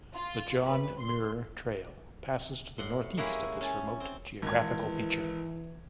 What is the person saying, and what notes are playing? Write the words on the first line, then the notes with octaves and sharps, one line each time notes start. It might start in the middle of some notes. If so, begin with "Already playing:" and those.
The John Muir Trail passes to the northeast of this remote geographical feature.
F4
B4
C6
A2 F#5 C6
G#3 A#3 C#4 E4 F#4 G4
C#4 A5
C4
G#1 E3 G#6